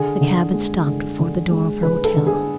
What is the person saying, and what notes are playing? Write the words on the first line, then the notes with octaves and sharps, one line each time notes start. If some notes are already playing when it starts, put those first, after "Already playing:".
The cab had stopped before the door of her hotel.
Already playing: D3 G#4
D3
G#3
D3
D3
G#3
D3 B4
A4
D3
G#4